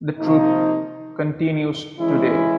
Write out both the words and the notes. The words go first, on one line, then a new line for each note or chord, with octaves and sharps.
The troop continues today.
C3 F3 A#3 D#4
E3 G#3 C#4 E4